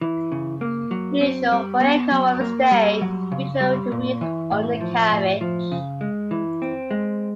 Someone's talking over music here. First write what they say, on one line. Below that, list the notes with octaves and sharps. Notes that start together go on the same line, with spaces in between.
Unusual for aircraft of its day, it featured a wheeled undercarriage.
E3
C#3
A#3
F#3
C4
G3
B3
F#3
A#3
G3
F#3
C#3
G3
A#2
E3
A2
F3
A2
F3
C#3
G#3
E3
C4
G#3